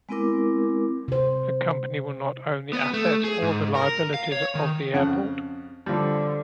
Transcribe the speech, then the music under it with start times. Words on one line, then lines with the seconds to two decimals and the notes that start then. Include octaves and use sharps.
The company will not own the assets or the liabilities of the airport.
0.09 G#3 B3 C4 E4 A#4 D6
1.08 C3 C5
2.73 B3
2.94 A3
3.24 G#4
3.42 G#2
3.75 A#4
4.14 F5
4.32 C#5
4.55 D#3
4.93 F2 C#3 F#5
5.86 D3 F3 G3